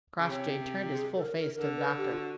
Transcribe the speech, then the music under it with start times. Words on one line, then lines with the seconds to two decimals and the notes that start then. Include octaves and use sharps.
Crossjay turned his full face to the doctor.
0.19 C#3
0.29 C3 C#5
0.93 G#4
1.16 A4
1.23 A#4
1.39 A#4
1.55 D3 A#4
1.76 B4
1.97 G4
2.11 F4
2.18 F#4